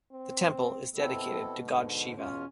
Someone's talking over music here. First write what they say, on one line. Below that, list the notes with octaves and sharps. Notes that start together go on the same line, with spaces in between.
The temple is dedicated to God Shiva.
C4
B2 C4 E4 A4
G#2 D3
E2 B2 C#4 F4